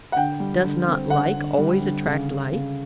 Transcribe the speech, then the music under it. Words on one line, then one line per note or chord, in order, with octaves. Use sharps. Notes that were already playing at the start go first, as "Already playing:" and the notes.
Does not like always attract like?
F#5
D3 G5
G3
D3
C4
D3 F#5
D3
G3
D3
C#3
C#3
C#3